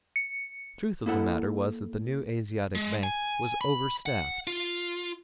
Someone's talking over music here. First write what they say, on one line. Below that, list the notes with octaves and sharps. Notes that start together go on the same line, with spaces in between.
The truth of the matter was that the New Asiatic Bank was over-staffed.
C#7
A#3 E4 A4 F#5
G#3
G#5
B5
F#5
F4